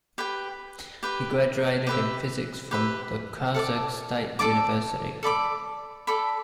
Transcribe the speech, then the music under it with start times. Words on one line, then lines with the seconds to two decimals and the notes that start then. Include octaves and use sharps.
He graduated in physics from the Kyrgyz State University.
0.18 G4 B4 G5
1.03 G4 B4 G5
1.87 G4 B4 E5
2.71 G4 B4 E5
3.54 A4 D5 A5 D6
4.39 A4 D5 A5 D6
5.23 A4 D5 B5 D6
6.07 A4 D5 B5 D6